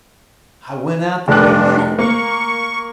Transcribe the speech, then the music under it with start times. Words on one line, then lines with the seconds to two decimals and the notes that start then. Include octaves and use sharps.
I went out there again.
1.28 F1 G2 D4 F#6
1.99 A#3 C#6